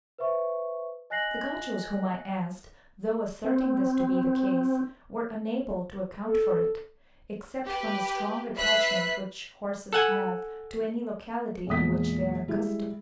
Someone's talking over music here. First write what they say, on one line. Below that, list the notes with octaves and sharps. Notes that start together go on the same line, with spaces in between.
The Gauchos whom I asked, though asserting this to be the case, were unable to account for it, except from the strong attachment which horses have to any locality to which they are accustomed.
B4 C5 E5 C#6
D#5 G#5 F#6 A#6 C7 F#7
C4
A4
G4 B4
B4 E5 B5 F#6 B6 C7
A4 F#5 G#5
E2 A#2 G#3 D#6 B6
G3 G#3 E4